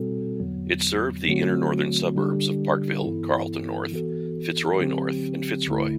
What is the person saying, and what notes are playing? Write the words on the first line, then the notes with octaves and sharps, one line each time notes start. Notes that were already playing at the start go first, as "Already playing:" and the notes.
It served the inner-northern suburbs of Parkville, Carlton North, Fitzroy North, and Fitzroy.
Already playing: B2 G3 C4 F#4 A4
E2 D3 F#3 B3
D3 F#3 A3 C4 F#4
D3 G3 D4 G4
G2 E3 B3 E4 A4
E3 B3 F#4 A4
D3 F#3 C4 G4
D2 D3 A3 E4